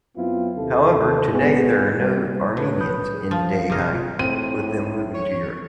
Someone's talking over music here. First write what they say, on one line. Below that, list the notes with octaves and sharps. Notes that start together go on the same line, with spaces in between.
However, Today there are no Armenians in Dehi, with them moving to Europe.
F#2 F#3 B3 C4 E4 F4
D#2 C3 D#3 A4
G#1 B3 G#4
G3 A#3
A2 B4
B5 D#6 G6
G#4
F3 F5
G1 C3 D#4 G#4 F6
F4
A2 C4 D#7
C#5